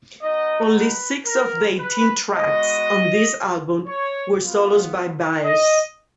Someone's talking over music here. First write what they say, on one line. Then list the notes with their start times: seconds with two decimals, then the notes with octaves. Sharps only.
Only six of the eighteen tracks on this album were solos by Baez.
0.21 B3 D#4 F#4 D#5
0.74 B4
1.25 A#4
1.78 B4
2.30 G#3 B3 F#4 D#5
3.86 C#5
4.39 B3 F4
5.43 D#5